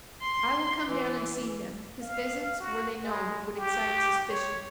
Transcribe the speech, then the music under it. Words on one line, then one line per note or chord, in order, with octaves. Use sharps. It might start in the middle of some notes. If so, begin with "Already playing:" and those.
I will come down and see him; his visits, were they known, would excite suspicion.
C6
E3
F5
F#4
G#3
G4
C#5